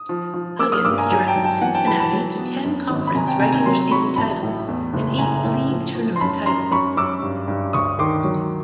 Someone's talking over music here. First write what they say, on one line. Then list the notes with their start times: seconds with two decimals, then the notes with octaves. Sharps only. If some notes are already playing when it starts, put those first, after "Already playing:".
Huggins directed Cincinnati to ten conference regular-season titles and eight league tournament titles.
Already playing: D#6
0.09 F3
0.34 F3
0.59 A#3 D6 E6
0.72 D#6 F6
0.85 G2 D6 E6
0.98 G#5 A#5
1.11 F#3 G#5 A#5
1.28 G5 A5
1.36 F#3
1.44 G5 A5
1.61 E3 F#5 G#5
1.75 G5 A5
1.87 E3 A5 B5
2.00 A5 B5
2.13 F#3
2.38 B3
2.64 F#2
2.90 G#1
3.07 B5
3.14 C3 G#5 A#5
3.27 G5 A5
3.40 C3 G#5 A#5
3.52 G#5 A#5
3.66 F#3 A#5 C6
3.91 F#3 B5 C#6
4.16 A1 A5 B5
4.43 A2
4.68 E2
4.94 F#1
5.18 A2 G#5 A#5
5.44 A2
5.70 F3
5.95 F3
6.16 C6
6.21 F#2 A5 B5
6.46 F#2 A#5 C6
6.71 F#2 B5 C#6
6.97 F#2 D6 E6
7.22 G2
7.48 G2
7.73 D2 C#6 D#6
7.99 D#3 C6 D6
8.24 F#3